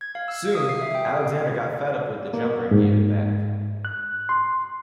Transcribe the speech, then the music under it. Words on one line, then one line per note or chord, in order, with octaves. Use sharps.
Soon, Alexander got fed up with the jumper and gave it back.
G#6
F5
E6
D#6
C7
E5
G5
A#3
G#2
F#6
C6